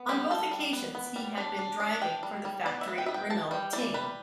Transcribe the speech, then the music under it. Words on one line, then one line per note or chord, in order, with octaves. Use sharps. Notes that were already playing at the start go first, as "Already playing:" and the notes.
On both occasions he had been driving for the factory Renault team.
Already playing: B3
G3 G4
G3 A4
G3
B3
B3
G3
D4
D4
D4
D4 G5
G3
G3
B3 D5
E5
B3
G5
B3 E5
G5
E3 A5
G3 G5
E3 D5
G3 B4